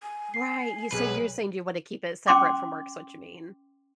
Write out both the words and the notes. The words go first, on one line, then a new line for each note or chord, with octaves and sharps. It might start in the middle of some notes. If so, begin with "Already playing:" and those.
Right. You so you're saying you wanna keep it separate from work, is what you mean.
G#5
C7
B1 G#4 B4
C#4 G5 C6 D6